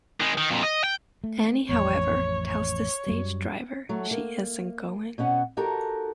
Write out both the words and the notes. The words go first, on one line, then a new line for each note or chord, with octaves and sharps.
Annie, however, tells the stage driver she isn't going.
D#3 G#3
D#3
F2 A#2
D#5
G5
A3
A1 F2 C#5
C#5
F#2 F#3 G3
F#3 A3
A#3
B2 B3 C#4 F#5
D#4 F#4 G4 A4 A#4